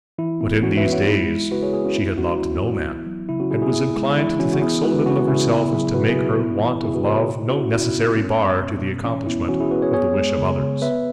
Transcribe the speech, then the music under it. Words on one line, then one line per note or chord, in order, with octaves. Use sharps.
But in these days she had loved no man, and was inclined to think so little of herself as to make her want of love no necessary bar to the accomplishment of the wish of others.
E3 E4
B3 E4
E3 C#4 F#4
B4 E5
B3
C#5 F#5
G#3 E4
E3
C#3 F#4 B4
G#4 C#5
B3 E4 G#4
C#4 F#4
B3 E4
G#3 C#4 F#4
E3 E4
E3
B3
F#3
C#3 E4
C#4 F#4
C#3 E4 G#4
E4 G#4
B3 E4 G#4
G#3
E3 E4
E3 C#4 F#4
F#4
B3 E4 G#4
G#3 F#4 B4
C#3 C#4 F#4
C#3 E4 G#4
B3 E4
F#3 E4 G#4
B2 F#4 B4
E4 G#4
B2
E4
B3
E3
C#3 E4 G#4
F#4 B4
C#3 G#4 C#5
E4 G#4
B2
E4
B3 C#4 F#4
E4
B2 E4
E4
B3
E4
B3 C#4
G#3
B2
B2
E3 C#4
B3 E4
E3 C#4 F#4
E4 G#4
B3 F#4 B4
G#4 C#5
B3 G#4 C#5
G#3
C#3
C#3
B3 B4 E5